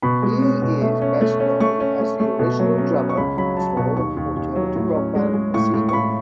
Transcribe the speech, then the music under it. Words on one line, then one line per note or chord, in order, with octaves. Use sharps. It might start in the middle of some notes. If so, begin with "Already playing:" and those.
He is best known as the original drummer for alternative rock band Placebo.
B2 B5
G#3
C#4
B2
A3
C#4
A3
C#4
A3 C#6
C#4
A3
A3
B2
F#3
C#4
C#4
C#6
C#2 B5
F#3 B5
F#3 A5
B2 C#6
D#2 C#6
D#2
D#2
F#3
A2
C#4
G#3
G#3
A2 C#6
A2
C#6
A2 B5